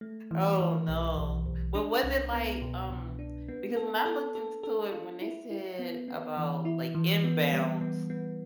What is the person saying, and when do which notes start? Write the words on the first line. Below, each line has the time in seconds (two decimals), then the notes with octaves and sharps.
Oh, no. But, was it, like, um, because when I looked int to it, when they said about, like, inbounds,
0.01 A3
0.31 E3
0.60 E3
0.88 B1
1.17 B1
1.46 B1
1.75 D4
2.03 C2
2.33 B3
2.62 B2
2.90 B2
3.19 D4
3.48 B3
3.77 A4
4.06 A4
4.35 A4
4.63 A4
4.92 F4
5.21 E4
5.51 E4
5.79 B3
6.08 B3
6.37 E3
6.65 E4
6.95 E3
7.24 B3
7.52 G3
7.81 B3
8.10 B3